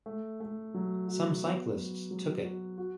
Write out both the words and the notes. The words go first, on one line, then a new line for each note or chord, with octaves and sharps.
Some cyclists took it.
A3
A3
F#3
F#4
B3
F#3
F#3
F#4
F#4